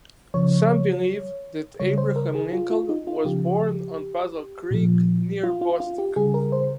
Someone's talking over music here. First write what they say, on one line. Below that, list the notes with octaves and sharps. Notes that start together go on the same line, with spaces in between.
Some believe that Abraham Lincoln was born on Puzzle Creek near Bostic.
C#3 F3 C#5
C#3 G3 C#5
C5
A#4
G#4
F4
F4
D#4
F4
C#3 F3 G4
A#2 F3
F4
F4
F4
G4
C#3 G3 G#4
A#4
C5